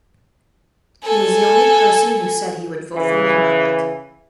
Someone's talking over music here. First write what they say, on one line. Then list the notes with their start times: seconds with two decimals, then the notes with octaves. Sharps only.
He was the only person who said he would vote for me in public.
1.03 A4 G#5
2.95 C#3 E3